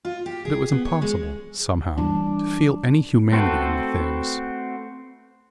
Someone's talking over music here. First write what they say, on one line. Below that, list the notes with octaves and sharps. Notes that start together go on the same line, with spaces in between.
But it was impossible, somehow, to feel any humanity in the things.
F4
G4
G#4
B3
C#5
G#3
E3 G3 D4
A3 C4 F#4 A4 B4